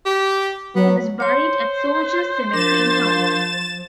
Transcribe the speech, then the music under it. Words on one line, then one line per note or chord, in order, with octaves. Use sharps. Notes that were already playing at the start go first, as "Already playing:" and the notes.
He was buried at Soldiers Cemetery in Houlton.
G4
F#3 B3
C5 C#5 C6
F3 D4 A#4 A6 E7